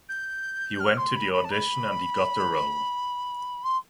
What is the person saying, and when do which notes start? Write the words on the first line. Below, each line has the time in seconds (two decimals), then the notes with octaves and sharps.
He went to the audition and he got the role.
0.09 G6
0.80 F6
0.97 C6
1.16 B5
1.33 B5
1.44 A5
1.51 B5
3.64 C6